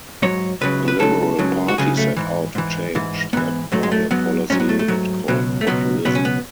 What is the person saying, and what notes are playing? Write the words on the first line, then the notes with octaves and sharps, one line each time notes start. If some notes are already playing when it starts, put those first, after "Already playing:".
The Liberal Party set out to change that by a policy it called populism.
G#2 F#3 C#5
C#2 C#3 F#3 B4
B4
C#2 C#3 F#3 A4
C#2 C#3 F#3
F#4
C#2 C#3 F#3 G#4
A3
G#2 E3
G#2 E3
G#2 E3
G#2 E3 B3
G#2 F#3 A3
G#3
A3
G#2 F#3 B3
G#2 F#3 C#4
B3
A3
A3
G#2 F#3
C#2 B2 F#3
A3
C#2 B2 F#3 B3
C#2 B2 F#3 B3
C#4
B3